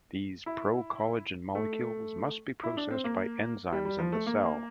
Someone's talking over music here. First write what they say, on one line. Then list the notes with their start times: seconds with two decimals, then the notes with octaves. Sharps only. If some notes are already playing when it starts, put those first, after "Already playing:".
These procollagen molecules must be processed by enzymes in the cell.
0.46 E4
1.55 A3
2.63 E4
2.77 D4
2.91 C4
3.04 A#3
3.72 G3
3.85 G3
3.99 F3
4.12 A3
4.26 A#3